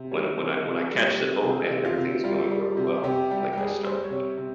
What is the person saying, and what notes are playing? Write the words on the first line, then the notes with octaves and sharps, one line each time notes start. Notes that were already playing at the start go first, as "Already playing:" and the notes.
when when I when I catch it, oh man, everything's going really well, like I start, uh,
Already playing: C3
G3 C#5
C3 C5
C3
G3
C3
C3 G#4
C3
F4
C3
G3 F4
G3
C3
C3 G4
G3 G4
G4
G3 G#4
G3 C5
C#5
C3
C3